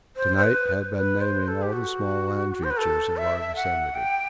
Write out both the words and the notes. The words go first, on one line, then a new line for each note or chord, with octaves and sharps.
To-night have been naming all the small land features of our vicinity.
C5
C5
B4
B4
C5
A4
G4
F#4
C5
B4
A4
E5
F#5
G5